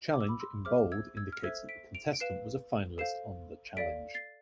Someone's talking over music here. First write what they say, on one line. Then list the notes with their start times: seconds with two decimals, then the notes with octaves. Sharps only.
Challenge in bold indicates that the contestant was a finalist on The Challenge.
0.14 D6
0.21 E6
0.28 B5 D6
0.40 C6 E6
0.65 G#4 C5 E5 D6 F6
0.92 E6 G#6
1.17 E6 G#6
1.32 F6
1.43 A4 C5 E5 E6 G#6
1.69 B6 D7
1.95 D7 F7
2.13 D7
2.20 B4 F5 C7 E7
2.98 A4 C5 F5 C7 E7
3.77 A4 D5 F5 B6 D7
4.14 A6 C7